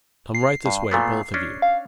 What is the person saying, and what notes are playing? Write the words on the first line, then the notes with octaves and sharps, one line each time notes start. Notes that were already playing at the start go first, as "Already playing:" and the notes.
Come right this way, both of you.
C7
G2
A#2 A3 B3
C#4 D4
F5